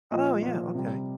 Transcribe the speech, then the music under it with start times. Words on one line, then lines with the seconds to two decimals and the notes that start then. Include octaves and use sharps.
Oh, yeah. Okay.
0.11 A#2 F3 D#5
0.43 A#2 F3
0.75 C3 G3